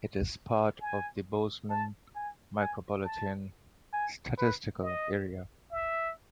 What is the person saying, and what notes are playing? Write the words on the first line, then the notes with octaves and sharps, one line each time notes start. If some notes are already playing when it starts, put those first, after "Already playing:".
It is part of the 'Bozeman Micropolitan Statistical Area'.
G#5
A5
G#5
G#5
A5
G#5
B4
D#5
E5